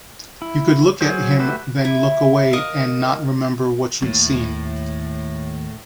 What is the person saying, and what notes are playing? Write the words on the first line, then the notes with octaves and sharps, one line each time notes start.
You could look at him then look away and not remember what you'd seen.
E4
F#3 G#4 C5
A3 F#4 G4 B4 E5
E4
A#4 D#5 F5 D#6
D#2 A2